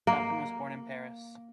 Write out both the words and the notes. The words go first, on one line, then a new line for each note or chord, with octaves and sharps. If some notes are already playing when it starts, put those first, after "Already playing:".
Chapelain was born in Paris.
A#3